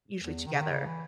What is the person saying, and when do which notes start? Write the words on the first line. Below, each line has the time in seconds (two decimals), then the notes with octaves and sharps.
usually together.
0.22 E2
0.46 D#3
0.53 C#3
0.60 D#3
0.70 C#3
0.86 E3